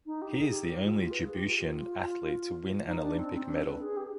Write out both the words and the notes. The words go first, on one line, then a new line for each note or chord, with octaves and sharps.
He is the only Djiboutian athlete to win an Olympic medal.
D#4
G4
G#4
G4
G4
D#4
F4
B4
G#4
G4
F4
D#4
D4
C4
C4
D4
B4
G#4
G4